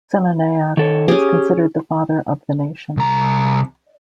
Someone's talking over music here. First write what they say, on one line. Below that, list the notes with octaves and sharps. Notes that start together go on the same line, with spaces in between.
Senanayake is considered the "father of the nation".
D#3 A4 C#5
C#4 G4 G#4
C2 A#5